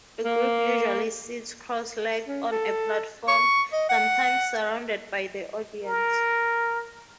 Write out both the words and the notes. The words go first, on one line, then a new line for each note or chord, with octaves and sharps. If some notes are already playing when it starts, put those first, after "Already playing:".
A group usually sits cross-legged on a platform, sometimes surrounded by the audience.
A#3
C#4
A4
C#6
D#5
F#5
A#4